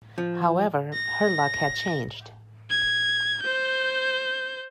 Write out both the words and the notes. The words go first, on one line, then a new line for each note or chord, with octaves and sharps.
However, her luck had changed.
F3
A#6
G#6
C5 G6